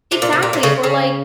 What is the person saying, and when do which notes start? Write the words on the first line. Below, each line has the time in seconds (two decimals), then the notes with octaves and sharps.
Exactly, or, like
0.12 C3
0.22 A#2
0.33 C3
0.43 A#2
0.53 C3
0.63 C#3
0.84 C#3